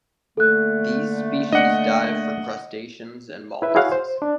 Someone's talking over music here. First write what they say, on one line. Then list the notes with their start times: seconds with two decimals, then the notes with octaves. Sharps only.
These species dive for crustaceans and molluscs.
0.37 D3 A3 A#3 A4 F#6
1.52 D4 D#5 F#5
3.62 E4 B4 E5
3.75 E4 F#4 G#4 C#5 F5 F#5
3.92 C5
4.22 D4